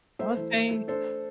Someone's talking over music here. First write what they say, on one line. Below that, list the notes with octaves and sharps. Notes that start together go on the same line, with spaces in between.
I would say
A3 C5 E5
E3
A3
A3
D4 A4 C5